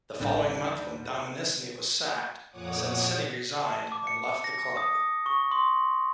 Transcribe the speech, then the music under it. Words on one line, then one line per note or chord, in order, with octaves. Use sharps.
The following month when Dominissini was sacked, Sensini resigned and left the club.
A1 D#2 A2 D3 G3 D4 G4
F2 A#2 C#5 F#5 D6 D#6
A5
D6
C#7
A#6
D#6
C#6
C6